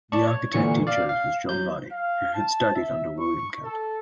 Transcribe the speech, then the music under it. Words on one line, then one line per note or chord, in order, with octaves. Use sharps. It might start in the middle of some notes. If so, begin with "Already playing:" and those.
The architect he chose was John Vardy who had studied under William Kent.
D5 A5 C#6
C#5
A#2 D3 E3 C#6 C#7
D5 F5
F5
F#3 G6
F5
A5
E5
C#6
A4